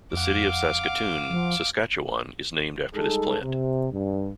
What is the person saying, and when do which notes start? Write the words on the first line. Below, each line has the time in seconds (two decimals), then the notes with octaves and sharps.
The city of Saskatoon, Saskatchewan is named after this plant.
0.13 F2 F5 F#5 D6
1.29 F3
2.94 G3 G#3 D#4 G#4 A4
3.41 C3
3.91 G2